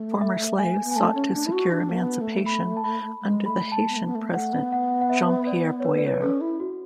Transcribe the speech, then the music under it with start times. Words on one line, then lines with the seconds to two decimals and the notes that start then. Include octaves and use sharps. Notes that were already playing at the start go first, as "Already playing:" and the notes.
Former slaves sought to secure emancipation under the Haitian President Jean-Pierre Boyer.
Already playing: A3
0.21 E5
0.58 G#5
0.84 B3
0.91 G#5
0.96 A3 A5
1.15 C#4
1.34 D4
1.46 E4
1.52 F#4
1.71 D4
1.90 A3
1.96 B3
2.21 A3
2.46 B5
2.77 A5
2.84 B5
3.22 G#3
3.46 A3 B5
3.72 G#3 A5
3.89 B3
3.97 A3
4.06 B3
4.15 A3
4.34 A3 F#5
4.53 B3
4.72 F#5
5.01 F#5
5.10 E5
5.47 D5
5.80 C#5
5.85 B4
5.98 D5
6.06 C#5
6.14 B4
6.22 C#4 A4
6.41 E4
6.60 F#4